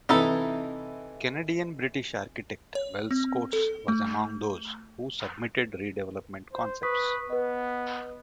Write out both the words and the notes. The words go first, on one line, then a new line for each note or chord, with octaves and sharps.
Canadian-British architect Wells Coates was among those who submitted redevelopment concepts.
C3 E3 D#4 E4 A4
C#5
C4
A4
A3
C5
B4 C#6 D#6 B6
B3 B4 D#5